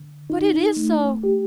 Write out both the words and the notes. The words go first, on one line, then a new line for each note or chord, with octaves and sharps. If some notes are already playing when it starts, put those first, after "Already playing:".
"But it is so."
Already playing: D3
D#4
A3
G4